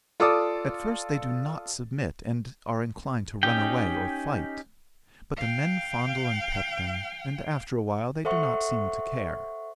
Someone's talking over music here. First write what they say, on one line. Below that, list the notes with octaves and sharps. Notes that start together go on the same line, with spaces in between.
At first they do not submit, and are inclined to run away or fight, but the men fondle and pet them, and after awhile they do not seem to care.
F4 A4 D5 D6 D#6
C#4 D#4 G4 G5
F5 G5
A4 C5 E5 F#5 C6 C#6